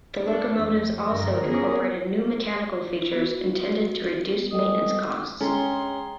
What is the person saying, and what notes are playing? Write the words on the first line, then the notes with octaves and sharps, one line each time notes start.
The locomotives also incorporated new mechanical features intended to reduce maintenance costs.
D4 A4
F2 A3
G2 D3 F3 A#4
B3 C#4 G#4 A#4
B3 F#4
G3 G#3 A4 D#5 D#6
G#3 C#4 G#4 G5 A#5 C6 A6